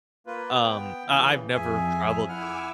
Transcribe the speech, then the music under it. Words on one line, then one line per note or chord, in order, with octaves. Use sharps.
Um, I I've never traveled
A#3 F4 B4
B3 G5
C#3 E3
F2 G#4 E5 G#5
E4 F#5 G#5 D6 E6 F6